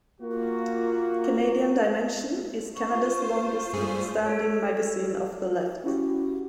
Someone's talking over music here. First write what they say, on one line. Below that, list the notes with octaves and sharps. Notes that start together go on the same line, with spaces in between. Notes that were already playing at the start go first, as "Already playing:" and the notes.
"Canadian Dimension" is Canada's longest standing magazine of the Left.
A#3 F4 F#4
F4 C5 C#6
G2 A3 G#4
A4 C#5
C#4 E4 F#4 G4